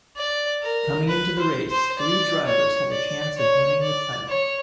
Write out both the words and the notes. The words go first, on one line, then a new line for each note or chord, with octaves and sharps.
Coming into the race, three drivers had a chance of winning the title.
D5
A#4
B4
C5
C5
D5
C#5
D5
C#5
D5
C#5